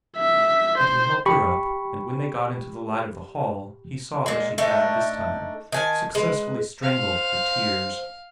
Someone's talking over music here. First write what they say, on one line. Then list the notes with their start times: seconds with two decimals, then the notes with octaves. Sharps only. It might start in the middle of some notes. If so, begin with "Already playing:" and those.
And he helped her up, and when they got into the light of the hall he saw that she had, this time, successfully strangled her tears.
0.17 E5
0.78 C5
1.26 G4 B5 C#6
4.26 A#2 G#3
4.58 A3 D4 D#4 E5
5.72 D#3 G#5 A5
6.15 G#3 B4
6.83 C5 F5